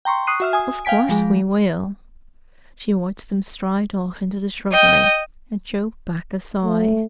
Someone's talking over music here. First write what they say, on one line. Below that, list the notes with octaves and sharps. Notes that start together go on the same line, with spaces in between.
"Of course we will." She watched them stride off into the shrubbery, and choked back a sigh.
G5 A#5 C6 C#6
C#6 D#6 F#6 C7 D#7
F#4 E5 F6
G#5 D#6
F5 G5 G#5 B6 D7
F3 G#3
D#5 G5
A3